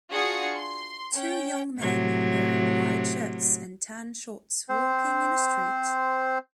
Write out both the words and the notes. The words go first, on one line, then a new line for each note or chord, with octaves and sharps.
Two young men wearing white shirts and tan shorts walking in a street.
D4 F4 F#4 G#4 D#6 C#7
C6
C#4 G5
A2 C3 F#3
C4 C5